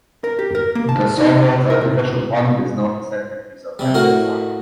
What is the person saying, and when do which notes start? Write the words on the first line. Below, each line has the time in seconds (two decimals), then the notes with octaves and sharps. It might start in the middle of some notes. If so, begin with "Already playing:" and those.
The sawmill's artificial pond is now the centerpiece of Hamlin Park.
0.24 A#4
0.39 G4
0.55 A#4
0.75 A#3
0.89 A5
1.18 D#4
1.70 A#4
1.81 C3
3.79 C3 G3
3.94 A2 F#4 A#4